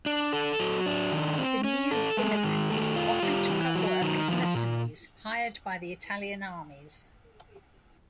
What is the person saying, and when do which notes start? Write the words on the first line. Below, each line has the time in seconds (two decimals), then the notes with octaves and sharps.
The new immigrants often took up work as mercenaries hired by the Italian armies.
0.06 D4
0.33 A4
0.59 F#3
0.86 D4
1.12 D#3
1.38 C4
1.64 C#4
1.91 A4
2.17 G#3
2.44 D#3
2.70 A3
2.96 F4
3.23 G3
3.49 E3
3.75 F#3
4.02 D#3
4.28 F3
4.55 A#2